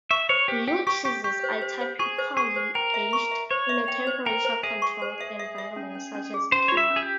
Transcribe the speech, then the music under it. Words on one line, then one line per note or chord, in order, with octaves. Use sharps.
Blue cheeses are typically aged in a temperature-controlled environment such as a cave.
E5 C#6
C5 C#5
G4 C5
G4 G5
G4 C#6
G4 C#6
G4 C#6
C5
C5
C5
G#4 C#6
C5
G#4 C#6
C5
A#4 G5
E5
C#6
E5
C5 C#5
E5
G5
C5
A#4 G5
C5
G#4 E5
C#6
C5
E5
E5
E5
C#4
C#4
C#4
G#4
C#4 C5
C#5
F4
E5
C#4
G#4
G4